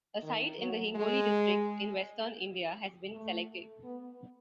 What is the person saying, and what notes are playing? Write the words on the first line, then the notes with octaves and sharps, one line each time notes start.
A site in the Hingoli district in western India has been selected.
D#3
F#3
G#3
A3
B3